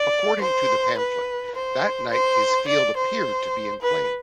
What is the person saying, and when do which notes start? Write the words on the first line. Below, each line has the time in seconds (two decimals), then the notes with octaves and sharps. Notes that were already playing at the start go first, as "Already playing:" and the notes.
According to the pamphlet, that night his field appeared to be in flame.
Already playing: D5
0.41 C5
0.98 B4
1.55 C5
2.11 C5
2.68 D5
2.97 C5
3.82 B4